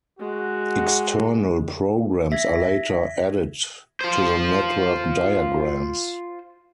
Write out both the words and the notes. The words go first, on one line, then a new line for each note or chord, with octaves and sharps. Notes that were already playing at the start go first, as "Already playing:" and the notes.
External programs are later added to the network diagrams.
G#3 F#4
E5 G#6 A#6 B6
F4 C5